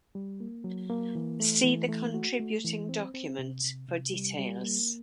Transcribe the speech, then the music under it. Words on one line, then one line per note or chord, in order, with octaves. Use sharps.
See the contributing document for details.
G3
A#3
F#3
A#3
E3
A3
E3
A3
F#4
A3
E3
C4
C4
C3
C3
C3
G3
G3
A#3